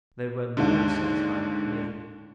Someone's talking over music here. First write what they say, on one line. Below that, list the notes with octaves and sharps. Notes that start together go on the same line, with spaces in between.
They were not satisfied with me.
D#2 G#2 D3